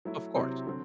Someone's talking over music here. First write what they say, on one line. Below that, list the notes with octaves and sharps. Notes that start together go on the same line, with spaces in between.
Of course.
F#3 A3 E4
C3 F#3 C4 E4
D3 F#3 C4